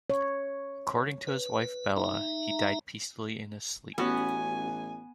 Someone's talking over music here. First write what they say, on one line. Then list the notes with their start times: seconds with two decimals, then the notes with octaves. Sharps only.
According to his wife, Bella, he died peacefully in his sleep.
0.10 C#5
1.27 B4
1.96 D#4 E5 A#5
3.98 A1 B3 C#4 F#4 G4 G#5